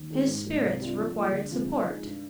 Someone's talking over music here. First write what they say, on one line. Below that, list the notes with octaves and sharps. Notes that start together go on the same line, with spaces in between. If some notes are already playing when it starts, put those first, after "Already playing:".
His spirits required support.
Already playing: D#2
D#3 G#3
G#2
D#3 G3 A#3
C2
C3 G3 D4 F4
F3
A#3 F4 G#4 D5
D2
C3 F3 G#3 C4
F3
G#3 D#4
G2